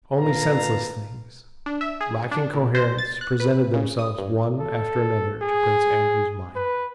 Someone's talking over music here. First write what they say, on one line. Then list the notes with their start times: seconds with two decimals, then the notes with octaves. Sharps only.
Only senseless things, lacking coherence, presented themselves one after another to Prince Andrew's mind.
0.19 A#2 B4 F5 A5 A#5
1.66 D4
1.81 E5
2.01 G#4
2.31 D4
2.53 A#2
2.75 C5
2.98 A6
3.21 F#6
3.40 B4
3.74 C#3
3.99 D#6
4.18 G2
4.60 A4
5.41 G#4
6.55 B4